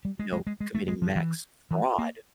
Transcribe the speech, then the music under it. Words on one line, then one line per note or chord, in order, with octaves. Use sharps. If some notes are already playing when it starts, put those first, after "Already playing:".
you know, committing max fraud,
G3
G#3
G#3
G#3
G#3
A3
G#3
F3
E3
E3
A#3